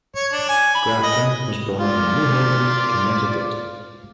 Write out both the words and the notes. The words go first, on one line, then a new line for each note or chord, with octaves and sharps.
Grafton was born in New Haven, Connecticut.
C#5
D4
G#5
B5
D#5
F4 D5 F5